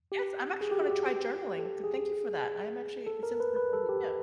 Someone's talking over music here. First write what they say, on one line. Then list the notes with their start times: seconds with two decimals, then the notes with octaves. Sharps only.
Yes. I'm actually gonna try journaling. Th thank you for that. I am actually it sounds like a great idea.
0.12 G4
0.61 G#4
0.71 G4
0.81 F#4
0.91 G4
1.59 A4
1.84 G#4
3.07 A4
3.23 A#4
3.40 B4
3.56 B4
3.73 A4
3.89 G4